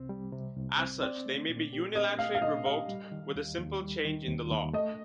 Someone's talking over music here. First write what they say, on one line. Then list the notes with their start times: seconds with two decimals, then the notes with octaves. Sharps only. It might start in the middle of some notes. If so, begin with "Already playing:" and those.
As such they may be unilaterally revoked with a simple change in the law.
Already playing: C2 C3 C4
0.09 G3
0.33 C3
0.56 C2
0.79 C4
1.02 C4 D5
1.26 A3
1.49 A#2
1.73 G4
1.95 C4 D#5
2.18 A3 F5
2.35 F5
2.42 A#2 D#5
2.65 G4 F5
2.88 G3
3.12 D#3
3.35 D#2
3.58 D#2
3.82 G3
4.05 D#3
4.28 D#2
4.51 D#2
4.74 A3 D#5